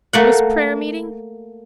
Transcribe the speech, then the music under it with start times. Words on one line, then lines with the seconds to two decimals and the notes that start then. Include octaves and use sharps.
"Was prayer-meeting?"
0.13 A3 A#3 F#5